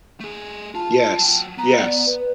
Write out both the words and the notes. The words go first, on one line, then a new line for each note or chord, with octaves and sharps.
Yes, yes,
A3 G#4
F4 A5
F#3 G5
B3 A#5
D5
B4